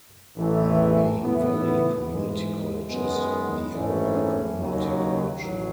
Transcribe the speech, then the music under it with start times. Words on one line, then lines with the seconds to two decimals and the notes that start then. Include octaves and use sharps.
Moraine Valley Community College is the area community college.
0.36 A1 A2 E3 A3
1.20 A2 E3 B3 E4
2.05 G#2 E3 G#3
2.89 F#2 D#3 G#3 B3
3.74 G#1 G#2 E3 A3 C#4
4.58 D#2 C#3 F#3
5.42 A1 F#3